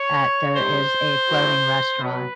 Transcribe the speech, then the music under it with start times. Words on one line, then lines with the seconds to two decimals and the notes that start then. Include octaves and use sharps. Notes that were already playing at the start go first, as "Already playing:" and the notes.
at there is a floating restaurant
Already playing: C#5
0.55 C3 D#3 G3 C5
1.27 A2 F#3
1.98 B2 F#3 B4